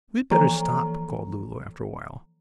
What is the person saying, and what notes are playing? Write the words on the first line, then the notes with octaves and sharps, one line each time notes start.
"We had better stop," called Lulu, after a while.
E3 F3 A#3 A4 A#5